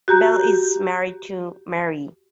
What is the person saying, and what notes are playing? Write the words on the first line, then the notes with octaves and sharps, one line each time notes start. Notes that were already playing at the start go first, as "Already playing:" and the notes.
Bell is married to Mary.
F#4 G4 A#5 G6